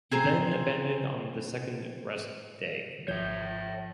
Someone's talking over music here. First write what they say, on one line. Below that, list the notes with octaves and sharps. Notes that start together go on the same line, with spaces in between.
He then abandoned on the second rest day.
C4 G#4 C5 A#5
G#1 F3 C#5 E5 G6